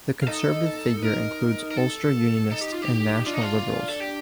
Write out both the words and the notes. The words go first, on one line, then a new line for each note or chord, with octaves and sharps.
The Conservative figure includes Ulster Unionists and National Liberals.
F5
D#4 A4 D#5
A#4
A#4
A4
D#4 A4 D#5
G4
F4
G4
D4 F4 D5
D#4
F4
A4
G4